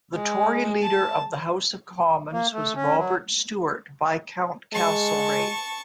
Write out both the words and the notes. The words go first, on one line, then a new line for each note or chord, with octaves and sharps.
The Tory Leader of the House of Commons was Robert Stewart, Viscount Castlereagh.
G#3
A5
A#3
A3
C#4
F#3
G#3 A5 C#6